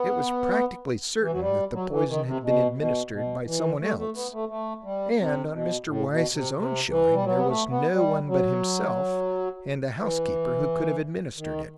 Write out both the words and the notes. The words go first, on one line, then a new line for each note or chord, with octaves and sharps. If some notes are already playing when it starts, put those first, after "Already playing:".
It was practically certain that the poison had been administered by someone else, and, on Mr. Weiss's own showing, there was no one but himself and the housekeeper who could have administered it.
Already playing: B3
E3
F#3
G3
F#3
E3
D#3
C3
B2
B2
B2
E3
A3
A3
B3
A3
A3
G3
C3
B2
A2
B2
C3
C3
E3
G3
F#3
B3
A3
B3
G3
F#3
E3
D#3